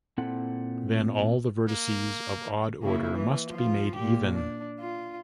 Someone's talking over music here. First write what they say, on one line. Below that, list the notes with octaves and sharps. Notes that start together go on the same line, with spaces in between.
Then all the vertices of odd order must be made even.
A#2 C4 E4 A4 F#5
A#3
C#3 A#3 E4
E3
F3 F4
A#2 G4
D4
F4